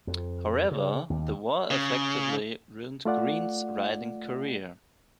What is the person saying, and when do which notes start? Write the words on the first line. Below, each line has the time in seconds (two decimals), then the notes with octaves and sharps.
However, the war effectively ruined Greene's rising career.
0.07 F2
0.71 C#3
1.10 D#2
1.70 C#3
3.05 A3 F4 D5 F#5